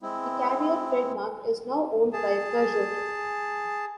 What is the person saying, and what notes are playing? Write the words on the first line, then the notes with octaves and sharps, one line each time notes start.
The Karrier trademark is now owned by Peugeot.
G#3 C4 E4
G#4 A5